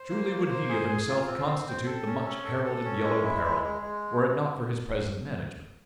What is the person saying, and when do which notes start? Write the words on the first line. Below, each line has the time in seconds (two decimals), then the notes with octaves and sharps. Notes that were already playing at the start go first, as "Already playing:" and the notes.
Truly would he of himself constitute the much-heralded Yellow Peril were it not for his present management.
Already playing: C5
0.10 A#3
0.30 A#3
0.50 C5
0.69 G#4
0.89 G#4
1.09 F4
1.27 C4
1.47 C4
1.67 C4
1.86 A4
2.06 C#4
2.25 C#4
2.44 A4
2.65 A4
2.84 C#4
3.04 G#3
3.23 E4
3.43 G#3
3.62 G#3
3.82 G#3